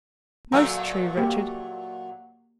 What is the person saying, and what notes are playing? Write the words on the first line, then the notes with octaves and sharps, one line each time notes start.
'Most true, Richard.
A#2 F#3 A3 A#5
A#3 G4